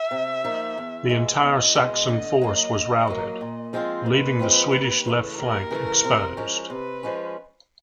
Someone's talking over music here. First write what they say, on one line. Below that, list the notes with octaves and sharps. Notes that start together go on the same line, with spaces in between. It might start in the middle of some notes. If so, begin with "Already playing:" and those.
The entire Saxon force was routed, leaving the Swedish left flank exposed.
Already playing: E5
C3
F3 A#3 D#4
E2
B2 G#3
E2 D#5
B2 G#3
D3
F#3 A#3
D3
F#3 A#3
A#2
F3 G#3 C4 F4
A#2 B4
F3 G#3 C4 F4
D#2
C#3 E3 A3
D#2 A#4
C#3 E3 A3
C3
F3 G#3 C#4
C3 B4
F3 G#3 C#4